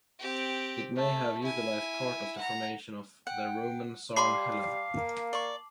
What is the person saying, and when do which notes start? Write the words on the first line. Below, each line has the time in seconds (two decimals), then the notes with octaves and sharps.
It may have utilised part of the formation of the Roman Sarn Helen.
0.20 C4 G4
0.95 A3
1.43 E4 G#5
2.36 F#5 A#5
3.27 F#5 G5
4.16 G3 F5 A5 B5 C6 D6 C7
4.97 A#3
5.33 D5 C#6